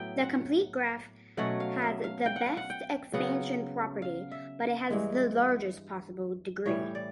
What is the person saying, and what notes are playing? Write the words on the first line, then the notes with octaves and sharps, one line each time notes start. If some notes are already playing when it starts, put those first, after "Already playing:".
The complete graph has the best expansion property, but it has largest possible degree.
Already playing: A2 F#3 B3 E4 G5
F#5
B2 F#3 A3 C#4 F#5
F5
E5
F5
G5
F#5
F5
F#5
G5
C#3 F#3 B3 F#5
F5
E5
G2 E3 G#3
A2 E3 G3 C#5
D5